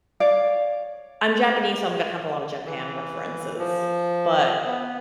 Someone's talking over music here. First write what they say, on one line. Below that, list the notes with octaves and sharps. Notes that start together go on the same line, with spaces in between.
I'm Japanese, so I'm gonna have a lot of Japan references, but,
C#5 D5 F5
E3
F3
B3